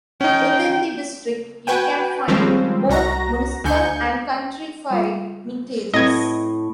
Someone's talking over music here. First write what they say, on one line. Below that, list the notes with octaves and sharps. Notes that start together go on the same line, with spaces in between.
Within the district you can find both municipal and countrified mintages.
C#4 D#4 G5
F#4 B4 G5 G#5
D#3 F3 G3 G#3 C4 C#4
C2 F#4 A#5 A#6
D2 D3 G#5 G6 C#7
G3 F4
A2 C4 E4 B4 D#5 G#6